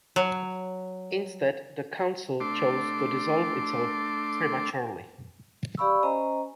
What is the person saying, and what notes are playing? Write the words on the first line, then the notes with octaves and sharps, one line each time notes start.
Instead, the council chose to dissolve itself prematurely.
F#3
A3 D4 C6 D6
G4 D5 F5 B5 C#6 E6
C#4 C5 D#5 G#5 A#5